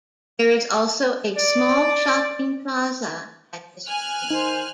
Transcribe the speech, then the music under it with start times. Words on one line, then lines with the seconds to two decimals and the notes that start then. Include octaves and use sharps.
There is also a small shopping plaza at this point.
1.37 D5
3.88 G#5 F6 F#6
4.31 D#3 D#4 C5